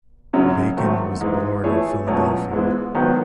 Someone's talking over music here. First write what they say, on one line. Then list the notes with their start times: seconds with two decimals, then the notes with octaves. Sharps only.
Bacon was born in Philadelphia.
0.33 F#2 C#3 F#3 C#4
0.77 G#2 D#3 F#3 A3
1.21 G#2 E3 G#3 D#4
1.64 E3 A3 E4 G#4 C#5
2.07 C#2 B2 F#3 A3 C#4
2.51 G#2 E3 G#3 B3 E4
2.94 G#2 D#3 F#3 B3